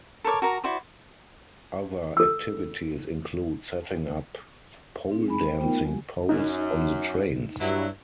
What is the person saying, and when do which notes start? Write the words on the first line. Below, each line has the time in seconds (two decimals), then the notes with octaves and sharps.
Other activities include setting up pole-dancing poles on the trains.
0.24 A4 A#4 C#5 D6
0.42 F#4 A#4 A#5
0.64 E4 F#4 C5 D5
2.17 A4 E6
5.12 C4 D#4 G#4
5.28 G#3 B5
5.44 C5 G5
5.61 A3 B3 D#4 F4 A#4 G5
5.84 F#3 G#3 F#4 G4
6.29 F#2 D#4
7.60 G2 F#3 E4